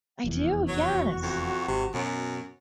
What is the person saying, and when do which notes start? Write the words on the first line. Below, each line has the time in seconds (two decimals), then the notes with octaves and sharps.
I do, yes,
0.24 F1 E2
0.68 F#3 F#4 C#6
1.23 F2
1.68 G#1 C3
1.94 F#2 B2